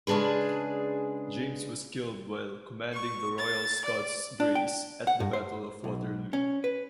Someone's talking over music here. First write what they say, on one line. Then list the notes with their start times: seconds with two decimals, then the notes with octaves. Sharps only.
James was killed while commanding the Royal Scots Greys at the Battle of Waterloo.
0.07 C#3 G#3 D4 G#4 B4
2.93 C#6
3.39 A6
3.84 D5
4.40 D4
4.55 G5
5.07 F#5
5.20 G2
5.33 C5
5.84 B1
6.33 C#4
6.64 B4